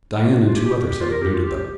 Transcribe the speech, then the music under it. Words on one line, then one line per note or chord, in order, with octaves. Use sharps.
Dian and two others had eluded them.
A#3
D4
F4
G4
G4
G4
F4
A#4
G4
F4
G4
G4